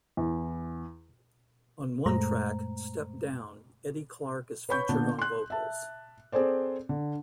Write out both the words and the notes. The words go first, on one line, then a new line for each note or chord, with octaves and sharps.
On one track, "Step Down," Eddie Clarke is featured on vocals.
E2
F#2 A#2 G#3 A3 C5 A#5
B4 C#5 B5 C#6 G6
A#2 D3 B3 D4
C6 F#6
E5 A5
C4 G#4 A4 C5 D5
D3